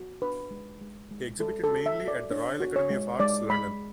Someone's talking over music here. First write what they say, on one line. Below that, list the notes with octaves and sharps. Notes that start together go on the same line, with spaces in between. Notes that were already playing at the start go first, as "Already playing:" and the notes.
He exhibited mainly at the Royal Academy of Arts, London.
Already playing: F#4
D4 B4
G#3
G#3
G#3
G#3 A4
A4
F#4
E5
F#4
D5
D4 C#5
F#4
C#5
G#3
G#3 D5
G#3 B5